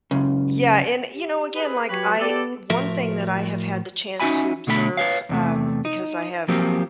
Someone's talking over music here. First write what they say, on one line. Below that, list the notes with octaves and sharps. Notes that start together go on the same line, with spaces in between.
Yeah and you know again like I one thing that I have had the chance to observe, um, because I have
C#2 F#2 C#3
G4
G#4 B4
F#3 G4 B4 C#5
B3 G4 A4 D5
A2 F3 F#4 A#4 E5
C#4 D#4 F#4 E5 G#5 B5
B2 D3 A3 E5 B5
B4 C#5 F5
E2 C3 A3
D#4
F3 F#3 A#3 C4 G4